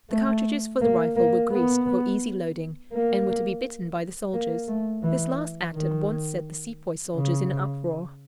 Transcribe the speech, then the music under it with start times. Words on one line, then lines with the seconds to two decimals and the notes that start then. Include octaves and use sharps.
The cartridges for the rifle were greased, for easy loading, and were to be bitten by the soldiers. This last act at once set the sepoy soldiers in an uproar.
0.10 A3
0.81 A#3
1.16 A#3
1.51 B3
2.93 A#3
4.34 A#3
4.68 A3
5.03 E3
5.74 D#3
7.15 C#3